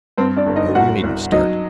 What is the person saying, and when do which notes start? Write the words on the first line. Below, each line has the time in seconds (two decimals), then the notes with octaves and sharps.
Oh, you needn't start!
0.17 G2 C4 C5
0.37 D4 D5
0.47 G1
0.56 D#4 D#5
0.75 C2 F#4 F#5
1.04 C2
1.32 F#3 D#4 D#5